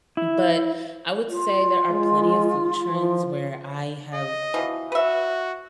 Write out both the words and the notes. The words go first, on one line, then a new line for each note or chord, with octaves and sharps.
but, I would say there are plenty of food trends where I have
E4
F4
G#3
F3
D#5
B2 E3 F3
F#4 B4 E5